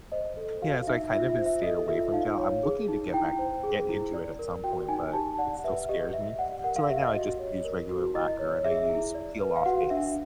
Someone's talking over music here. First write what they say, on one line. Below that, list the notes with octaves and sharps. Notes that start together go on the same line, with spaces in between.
yeah. So I kind of stayed away from gel. I'm looking to get back get into it at some point, but it still scares me. So right now, I just use regular lacquer, and I use peel off base.
C5 D#5
A4
F#4 F5
D#4 E5
F4 E5
E5
C5
E5
A4 D#5
F4 E5
D#4 F5
C#5
G#4
D#4
E4 G5
C5
G#4
E4
D5
A#4
F#4 G5
D#4 G#5
G4 A5
D5 F#5
B4 E5
G4 D#5
G4 E5
D5 F#5
A#4 F#5
F5
G4 E5
D#5
F#4
C#5
A#4
F#4
E4 D#5
C#5
G#4 E5
E4
D5
B4
F5
F#4 F#5
D4 E5